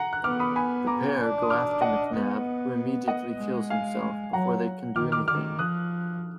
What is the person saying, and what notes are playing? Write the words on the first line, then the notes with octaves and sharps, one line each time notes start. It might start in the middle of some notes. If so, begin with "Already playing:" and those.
The pair go after McNab who immediately kills himself before they can do anything.
Already playing: F#5 A#5
F#6
B3 D6 F6
B5 D#6
G#5 B5
A#5 D6
D4
D#6
D6 F6
D#5 F#5
B3
D#5 F#5
G#3
F5 G#5
F#3 F#5 A#5
D#3 D6 F6
D6 F6
D#3 D6 F6
F3 D#6 F#6